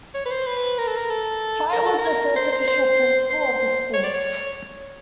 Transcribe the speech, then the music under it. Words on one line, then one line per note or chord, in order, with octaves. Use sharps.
Fite was the first official principal of the school.
C#5
B4
C5
B4
A#4
A4
A#4
A4
A#4
A4
A#4
C5
C5
C5
C5
C#5
D5
C#5